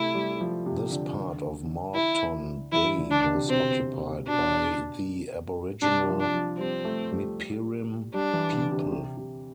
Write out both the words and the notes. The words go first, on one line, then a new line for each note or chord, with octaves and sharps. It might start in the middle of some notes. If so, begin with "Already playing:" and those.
This part of Moreton Bay was occupied by the Aboriginal Mipirimm people.
Already playing: C3 A3 E4
G3
F3
C3
D3
E4
E3 E4
D3
D4
D3
C3
B2 C4
C3
B2 D4
C3 D4
G3
F3
D4
F3
G3 C4
A3
G3
G3 D4
E3
D3
C3
D3
C3
C3